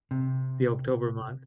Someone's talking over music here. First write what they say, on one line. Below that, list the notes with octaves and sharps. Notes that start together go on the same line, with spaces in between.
the October month,
C3